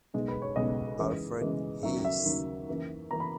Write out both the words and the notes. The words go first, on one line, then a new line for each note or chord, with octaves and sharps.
Alfred Hayes.
B1 B2 G#3
B4
C#5
B1 B2 G#3 D#5
F#2 E3 G#3
F#2 E3 G#3
D#2 C#3 F#3 E5
E5
D#2 C#3 F#3
F#2 E3 A#3
E3 A#3 A#5
B5